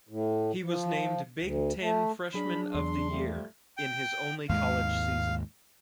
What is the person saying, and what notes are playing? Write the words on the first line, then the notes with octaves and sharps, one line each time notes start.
He was named Big Ten Freshman of the Year in his only college season.
A2
F3
D2
A3
F#3 D4 G#4 B5
E2 C6
F3 G3 A3
G5
D#2 G#2 G#3 F5